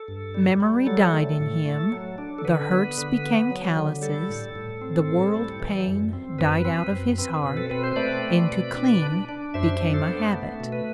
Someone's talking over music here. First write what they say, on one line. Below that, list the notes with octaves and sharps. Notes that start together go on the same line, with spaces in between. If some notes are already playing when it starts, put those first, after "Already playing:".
Memory died in him, the hurts became callouses, the world-pain died out of his heart, and to cling became a habit.
Already playing: A4
G2
G3
G3
F#3 A4
A3
A2
A3
F#3
D4
A4
D3 B4
B3
D3
B3
F#3
D3
G3 A4
A2
A2
C4
A2
G3
E3
F#2
C4
F#2 B4
C4
F#2
C4 B4
B2
A4
C4 B4
C5
A3 B4 D5
C4
B2
D4
D4
D4
F#2 C5 E5
D4
A4 C5
B3
A3
B2
B4